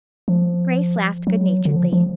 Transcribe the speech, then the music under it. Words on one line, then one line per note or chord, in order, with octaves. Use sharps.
Grace laughed good-naturedly.
F3
F#3
D3
F3
F3